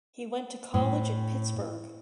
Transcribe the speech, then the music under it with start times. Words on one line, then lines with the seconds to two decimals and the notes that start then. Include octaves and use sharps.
He went to college at Pittsburgh.
0.74 A2